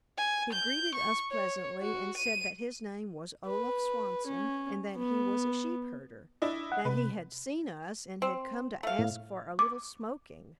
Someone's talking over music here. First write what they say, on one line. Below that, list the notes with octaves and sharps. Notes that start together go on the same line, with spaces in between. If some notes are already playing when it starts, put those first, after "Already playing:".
He greeted us pleasantly, and said that his name was Olaf Swanson and that he was a sheep-herder; that he had seen us and had come to ask for a little smoking.
G#5
G6
C#6
C#5
F#4
D#7
B4
C#4
B3
D4 E4 D#5
F#5
C3 B4
C4
A3 F5
A2
D6